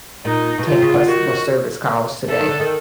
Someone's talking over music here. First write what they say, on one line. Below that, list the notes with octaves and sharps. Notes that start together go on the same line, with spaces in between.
take customer service calls today,
A#2 D#4
B2
F4
C3
C#3
D3
D#3 F#4
E3 A4
D#3
D3
D#3